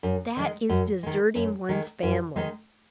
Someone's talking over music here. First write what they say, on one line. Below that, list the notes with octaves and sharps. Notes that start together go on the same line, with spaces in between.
That is deserting one's family.
F#2
D#3 G#3
F#2
D#3 G#3
F#2
D#3 G#3
F#2
D#3 G#3